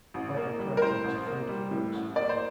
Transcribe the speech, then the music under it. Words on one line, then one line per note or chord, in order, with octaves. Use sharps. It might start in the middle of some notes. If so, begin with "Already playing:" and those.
Michael Crichton was a friend of Cook's.
A1
A#3
G3
A#4
A2 C5
A1
A#3
G3
A2
A1
A#3 D5
C5